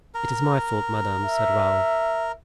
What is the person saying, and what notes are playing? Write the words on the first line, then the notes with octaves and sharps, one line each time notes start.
"It is my fault, madame," said Raoul.
A#4
E5